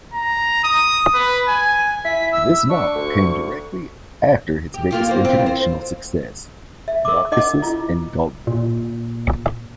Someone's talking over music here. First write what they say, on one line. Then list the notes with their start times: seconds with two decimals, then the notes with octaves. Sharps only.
This novel came directly after his biggest international success, "Narcissus and Goldmund".
0.14 A#5
0.64 D#6
1.14 B4
1.49 G#5
2.05 E4 B6
2.32 E6
2.69 D4 C#6
2.95 D2
4.74 G4
4.91 A#3 F4 G4
5.07 E2 A#3 C5
5.25 C4 F4
5.46 C5
6.88 E5
7.05 A#4 D6
7.32 D#4 D#5 F#5 D6
7.62 E4 F4
8.47 A#2